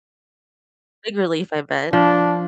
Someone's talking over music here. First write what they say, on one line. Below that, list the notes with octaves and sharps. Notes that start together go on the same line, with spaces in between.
big relief, I bet.
F3 D4